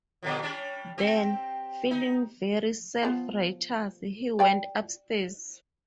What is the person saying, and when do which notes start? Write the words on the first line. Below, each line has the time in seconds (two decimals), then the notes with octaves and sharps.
Then, feeling very self-righteous, he went upstairs.
0.23 A#2 D3 F3
0.42 G3 C#4 D4
0.98 C4 G4
1.91 D#4
3.03 F3 B3
4.39 D5 G5 B5